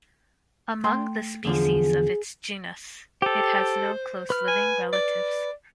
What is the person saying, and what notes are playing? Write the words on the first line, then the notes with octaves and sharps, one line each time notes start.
Among the species of its genus, it has no close living relatives.
A3 G5 C6
E2 D3 F3 G#4
G4 A4 C5
B4 F6
G#5
D5